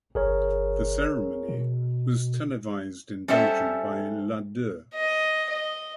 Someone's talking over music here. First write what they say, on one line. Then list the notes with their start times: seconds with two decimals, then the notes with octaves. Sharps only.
The ceremony was televised in Belgium by La Deux.
0.15 G1 G#4 A#4 C#5
1.49 B2
3.28 G3 C#4 A4 C5 E5
4.94 D#5
5.50 D#5